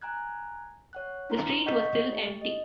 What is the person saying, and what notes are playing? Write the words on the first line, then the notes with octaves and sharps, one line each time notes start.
The street was still empty.
G#5 A#5 F#6 G#6
C#5 F#5 F#6
D4 E4 F4 B4 A#5 C6
D#5 F#5 C#6 G6 B6
A3 G4
D#5